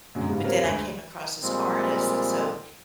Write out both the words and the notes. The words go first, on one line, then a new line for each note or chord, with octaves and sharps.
But then I came across this artist, and so
F#2 B2 D3 F#3 G#3 C#4
G#2 C#3 G3
G3 C4 F4 A#4 B4 C#5
D2 G#3 G#5
A#2 F3 G3 G#3 C4